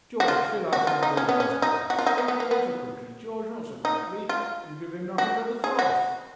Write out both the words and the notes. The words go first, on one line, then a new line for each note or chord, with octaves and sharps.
George, fill our friend Urmand's glass; not so quickly, George, not so quickly; you give him nothing but the froth.
F#4
F4
F#4
F4
D#4
C#4
B3
C#4
D#4
F#4
F4
D#4
B3
B3
A#3
B3
D#4
F4
F#4
G#4
F#4